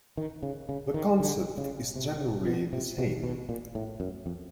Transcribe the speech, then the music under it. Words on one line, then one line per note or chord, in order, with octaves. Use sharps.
The concept is generally the same.
D#3
C#3
C#3
D#3
D3
C#3
C3
B2
C3
B2
B2
A#2
A2
F#2
F2